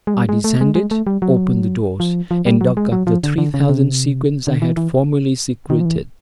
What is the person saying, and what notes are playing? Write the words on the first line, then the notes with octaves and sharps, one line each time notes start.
I descended, opened the doors, and dug up the three thousand sequins I had formerly secreted.
G#3
G3
G#3
A3
G#3
G#3
A3
G3
F#3
F3
F3
G3
F#3
G#3
F#3
F3
D3
D3
C#3
C3
D3
E3
E3
D#3
F3
E3